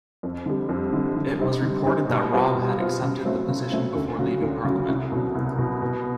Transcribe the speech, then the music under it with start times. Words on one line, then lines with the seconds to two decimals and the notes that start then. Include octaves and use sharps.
It was reported that Robb had accepted the position before leaving Parliament.
0.23 F2
0.46 D3 G3
0.69 F2
0.93 D3 G3
1.16 D3
1.39 G3 C4 D#4
1.62 D3
1.86 G3 C4 D#4
2.09 B2
2.32 G3 C4 F4
2.55 B2
2.78 G3 C4 F4
3.02 C#3
3.25 F#3 A3 C4
3.48 C#3
3.72 F#3 A3 C4
3.95 D2
4.19 C#3 F#3
4.42 D2
4.64 C#3 F#3
4.88 C2
5.12 B2 F#3
5.35 C2
5.58 B2 F#3
5.82 B2